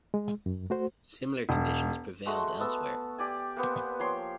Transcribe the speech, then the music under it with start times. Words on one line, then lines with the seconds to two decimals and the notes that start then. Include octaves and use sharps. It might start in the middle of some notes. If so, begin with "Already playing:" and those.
Similar conditions prevailed elsewhere.
0.14 G#3
0.46 F#2
0.70 A3 F#4 C5
1.49 E1
2.26 G#3 A3 F#4 C#6
2.60 B3 A5 E6
3.18 G4 D5 G#5
3.57 A#3 B3 C5
3.99 F3 C#5 G5 C6